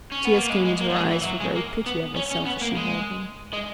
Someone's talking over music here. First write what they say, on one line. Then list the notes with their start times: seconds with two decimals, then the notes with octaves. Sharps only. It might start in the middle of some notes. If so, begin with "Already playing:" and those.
Tears came into her eyes for very pity of herself as she heard him.
0.12 C#4
0.25 B3
0.37 A#3
0.49 G#3
0.65 G#3
0.80 A#3
0.89 F#3
0.96 G#3
1.11 E3
1.21 E3
1.25 F#3
1.41 G#3
1.56 A#3
1.86 B3
2.16 C#4
2.32 C#4
2.47 B3
2.62 A#3
2.77 G#3
3.53 G#3